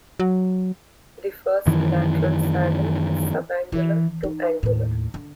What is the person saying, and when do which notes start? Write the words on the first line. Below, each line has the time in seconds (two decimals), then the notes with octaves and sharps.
The first lateral saddle is subangular to angular.
0.20 F#3
1.66 F#2 D#3 E3
3.72 E3
4.23 D#4
4.63 D#2 A2
5.14 D3